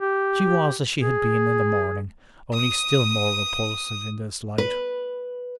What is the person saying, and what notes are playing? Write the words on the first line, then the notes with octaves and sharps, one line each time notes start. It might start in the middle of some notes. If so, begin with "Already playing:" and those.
She was as she had been in the morning, only still more repulsive in this light.
G4
G#4
D#6 D#7
B4